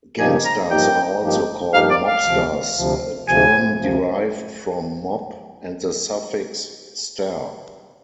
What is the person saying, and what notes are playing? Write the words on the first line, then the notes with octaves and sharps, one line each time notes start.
Gangsters are also called mobsters, a term derived from "mob" and the suffix "-ster".
G2 F3 A#3 D#4 G4 G#5
A#5
G2 F3 A#3 D#4 G4 G5
G2 F3 A#3 D#4 G4
G2 F3 A#3 D#4 G4 F5
D5
F5
D2 C3 F3
D2 C3 F3
D2 C3 F3 G#5
D2 C3 F3